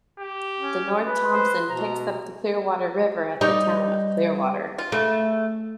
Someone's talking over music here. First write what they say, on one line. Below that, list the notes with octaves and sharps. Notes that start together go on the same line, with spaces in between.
The North Thompson picks up the Clearwater River at the town of Clearwater.
G4
C#4
B4
C5
B2 A#5
G3 D#4 C#5
F4
C#3 A3